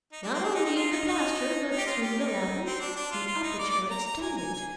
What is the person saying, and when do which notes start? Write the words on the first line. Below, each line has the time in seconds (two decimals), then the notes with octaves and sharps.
Not only in the plaster, but through the lathing, the aperture extended.
0.13 D#4
0.23 D4
0.34 C4
0.44 D4
0.54 D#4
0.65 D#4
0.76 F4
0.92 D#4
1.07 D#4
1.70 D#4
1.78 G4
1.86 F4
2.02 G4
2.17 D#4
2.65 C4
2.80 D4
2.96 D4
3.12 F4
3.27 F4
3.43 D#4
3.59 D5
3.69 D5
3.90 A#5
4.06 A#5
4.22 G#5
4.38 G#5
4.53 G#5